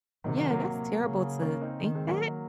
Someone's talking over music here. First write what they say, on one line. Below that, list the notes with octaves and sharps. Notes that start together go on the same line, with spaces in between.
Yeah, that's terrible to think that.
C3 D#3 F#3
D#3 F#3
F#3 A#3
F#3 A#3
C#3
A#3 C#4
C4 D#4
D#3
G#3 C4
F#3 A#3